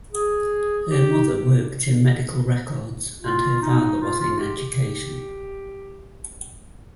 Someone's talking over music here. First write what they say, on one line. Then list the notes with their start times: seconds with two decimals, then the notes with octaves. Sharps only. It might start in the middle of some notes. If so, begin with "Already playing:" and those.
Her mother worked in medical records and her father was in education.
0.12 G#4
0.90 G4
1.28 G4
3.23 F4
3.62 D#4
4.01 F4
4.20 F4
4.40 G4
4.59 G4